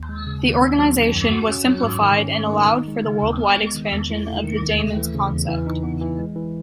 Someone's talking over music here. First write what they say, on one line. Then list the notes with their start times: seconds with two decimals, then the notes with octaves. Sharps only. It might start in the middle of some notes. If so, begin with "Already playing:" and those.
The organization was simplified and allowed for the worldwide expansion of the Damon's concept.
Already playing: D#2
0.09 G#3
0.27 C#3
0.44 D#2
0.61 C#4
0.78 F#3
0.96 D#3
1.13 F#2
1.31 F#4
1.48 C#4
1.66 F#3
1.83 G#2
2.00 D#3
2.18 C#4
2.35 A3
2.52 D#3
2.70 D#4
2.88 G#3
3.04 C#3
3.22 D#2
3.39 B3
3.57 G#3
3.74 D#3
3.92 E2
4.10 E4
4.27 A3
4.44 D#3
4.62 D#2
4.79 A3
4.97 E3
5.14 C#3
5.31 E2
5.48 E3
5.67 D#4
5.83 B3
6.01 E3
6.19 G#3
6.36 E3